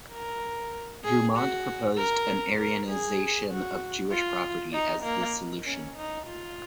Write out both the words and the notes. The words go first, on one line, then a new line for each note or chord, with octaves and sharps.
Drumont proposed an aryanization of Jewish property as the solution.
A#4
G#4
F#4
A#4
A#4
G#4
F#4
F4
D#4
A#3
C#4
D#4
F4